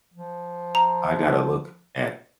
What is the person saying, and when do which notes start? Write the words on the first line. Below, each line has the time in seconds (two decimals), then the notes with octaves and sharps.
I gotta look at
0.14 F3
0.75 A#5